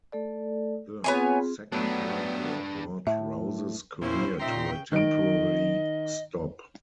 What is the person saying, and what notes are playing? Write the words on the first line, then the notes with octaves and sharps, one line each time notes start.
The Second World War brought Rowse's career to a temporary stop.
A3 A4 D5
B3 C4 F4 G#4 C#5 G#5
F#3 A3 B3 D4 B4
A2 E5
A#2 C4 C#4 E4 C5
A#2 C#3 F3 D#4 E5 G5 A#5 C6
D#3 D#5 D7